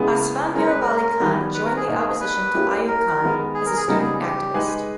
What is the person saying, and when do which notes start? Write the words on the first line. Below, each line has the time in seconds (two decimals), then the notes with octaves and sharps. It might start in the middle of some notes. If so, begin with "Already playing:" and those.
Asfandyar Wali Khan joined the opposition to Ayub Khan as a student activist.
Already playing: C#3 G#3 B3 E4 G#4
0.54 G#3 C#4 G#4 A#4
0.67 B4
0.80 A#4
1.20 D#3 G3 B3
1.54 B4
1.65 A#4
1.77 G#4
1.87 B2 A#3 D#4
1.98 G#4
2.09 G#4
2.21 B4
2.54 A#3 C#4 E4 G4
2.88 A#4
3.21 D#3 G#3 B3
3.54 G#4
3.66 A#4
3.76 G#4
3.87 C#3 G3 B3 D#4 A#4
3.98 G#4
4.21 G4
4.54 G#3 D#4 G#4 B4